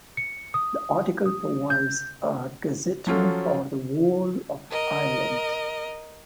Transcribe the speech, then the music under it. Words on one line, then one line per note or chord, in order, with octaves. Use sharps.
This article provides a gazetteer for the whole of Ireland.
C#7
D#6
D#6
G6
F3 F#3 C#4 F4 A4
A#4 D#5